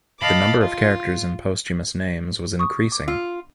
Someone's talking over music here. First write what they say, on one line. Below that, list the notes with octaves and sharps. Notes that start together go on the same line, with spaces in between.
The number of characters in posthumous names was increasing.
D#5 F5 A5 B5 D6
F4
C#6 D#6
D6
F4 E6